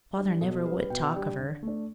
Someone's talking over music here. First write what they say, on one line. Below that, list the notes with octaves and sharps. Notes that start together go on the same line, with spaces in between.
Father never would talk of her.
G3 D4
B2 A4
G3 D4 B4
B2 G5
G3 D4
D3
A3 D4